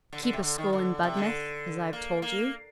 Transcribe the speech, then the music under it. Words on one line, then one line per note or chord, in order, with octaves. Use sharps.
"Keep a school in Budmouth, as I have told you."
D3
D3
C3
D3
D#3
D3
C3
D3
A#3
A#3